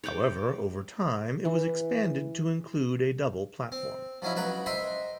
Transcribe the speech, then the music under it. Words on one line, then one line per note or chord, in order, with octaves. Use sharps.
However, over time it was expanded to include a double platform.
C#5 D5 G5 D6
E3
C4
F3 F#3 C#4 D#4 E4
C#2 F#3 B4 F#5 G5 A#5
C5 D#5 E5 G5 C6